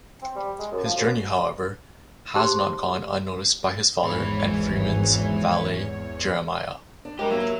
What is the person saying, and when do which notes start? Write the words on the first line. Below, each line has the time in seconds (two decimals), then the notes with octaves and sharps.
His journey, however, has not gone unnoticed by his father and Freeman's valet Jeremiah.
0.22 C4
0.36 G3
0.59 G#3
0.72 F#2
0.85 F3
0.97 F#2
2.35 D#4 G4 G#4 C5 C6
4.03 G#1 E2 G#2 E3 C#5 B5
7.05 D4
7.19 G3 G#3 G4 A#4
7.31 G2 F#3 A#3 E5